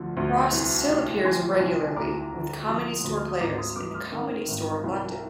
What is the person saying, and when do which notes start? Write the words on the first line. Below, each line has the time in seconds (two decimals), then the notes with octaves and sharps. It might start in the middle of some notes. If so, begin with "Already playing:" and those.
Frost still appears regularly with Comedy Store Players in The Comedy Store, London.
Already playing: D2 D3 F3
0.17 D2
0.52 C2
0.88 C3
1.24 F3 G#5 C6
1.60 C2
1.96 D2 A#5 D6
2.33 D3
2.68 F3 C6 D#6
3.04 D2
3.17 F6
3.28 D#6
3.40 G#1 A#5 D6
3.58 C6 D#6
3.76 G2 D6 F6
3.94 D6 F6
4.12 D#3
4.48 G#1
4.84 C2